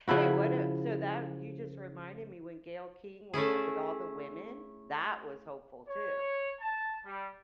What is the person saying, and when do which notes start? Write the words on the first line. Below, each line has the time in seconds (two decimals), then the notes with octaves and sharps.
Hey, what, uh so that you just reminded me when Gayle King went up with all the women, that was hopeful too.
0.08 C#3 F3 E4 F#4
3.34 A3 C#4 E4 G#4
5.88 C#5
6.60 A5
7.05 G3